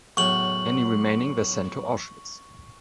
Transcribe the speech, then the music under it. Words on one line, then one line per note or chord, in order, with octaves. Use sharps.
Any remaining were sent to Auschwitz.
E2 A2 F#3 C#6 F#7